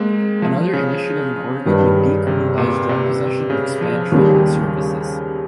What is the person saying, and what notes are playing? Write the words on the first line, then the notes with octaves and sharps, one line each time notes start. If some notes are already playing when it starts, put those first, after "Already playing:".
Another initiative in Oregon would decriminalize drug possession and expand treatment services.
Already playing: G#3 A#3 C4
F3
C#3
G2 D#3 G3
C3
A#2
C3
C#3
F3
D#2 C#3 G3